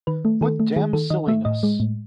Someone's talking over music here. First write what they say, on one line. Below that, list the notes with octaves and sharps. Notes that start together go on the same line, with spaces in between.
What damn silliness!
D#3 B4
A3
D#3 A4
A3
D#3 G#4
D#3 A4
D#3 D#5
A3 E5
A2 D#5
G#3
A2